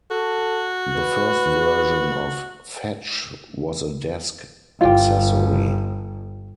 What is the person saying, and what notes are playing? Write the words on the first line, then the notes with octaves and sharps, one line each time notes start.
The first version of Fetch was a desk accessory.
F#4 A4
B4
G1 F4 G4